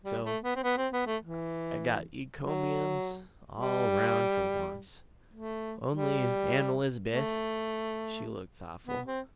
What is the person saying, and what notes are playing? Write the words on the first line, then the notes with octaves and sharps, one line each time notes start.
So I got encombiums all round for once. Only Aunt Elizabeth--she looked thoughtful.
G3
A3
B3
C4
B3
C4
B3
A3
E3
F#3
G3
A3
G3
A3
B3
C4